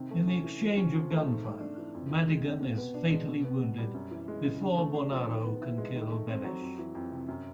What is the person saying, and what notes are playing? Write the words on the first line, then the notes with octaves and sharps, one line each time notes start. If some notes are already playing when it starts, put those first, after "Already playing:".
In the exchange of gunfire, Madigan is fatally wounded before Bonaro can kill Benesch.
Already playing: C3 D#3
A3
C#4
E3
F3
C#4
F3
A3
G#2
A3
D4
E3
F2
D#3
G#3
C3
B2
B3
D4
G#3
B2
B3
B2
G3
F#2
E3
G#3
C#3
D3
A3
D4
F3
D#3
B3
E4
G#3
D#3
A3
C4
F#3
F2
E3
F2
C3
F#2